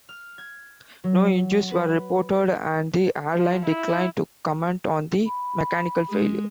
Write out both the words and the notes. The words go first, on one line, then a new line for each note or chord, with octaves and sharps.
No injuries were reported, and the airline declined to comment on the mechanical failure.
F6
G#6
F#3
B4
F3
E4
B5
G#3